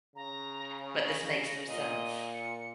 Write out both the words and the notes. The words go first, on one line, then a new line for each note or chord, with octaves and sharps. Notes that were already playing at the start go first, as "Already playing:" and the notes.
But this makes no sense.
C#3 A#5
A#6
A#2 D#5
C#7